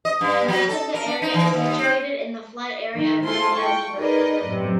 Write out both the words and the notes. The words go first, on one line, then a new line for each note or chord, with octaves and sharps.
Most of the area is situated in the flood area of the Zambezi River.
D#5
G2
F#3
A4
A#4
D4
D#4
E3
D#2
C4
D#3
E4 F4 G#4 A4 C5 C6
G5 C#6
D#4 G#4 A#4 B4 D5 D#5
F#2 A2 C3